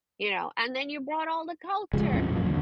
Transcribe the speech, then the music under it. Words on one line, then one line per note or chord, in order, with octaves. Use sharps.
you know, and then you brought all the culture.
C#3 F3 G3 G#3
A#1 F2 E3 C#4
F#2 A#2 F3 F#3
D#2 D3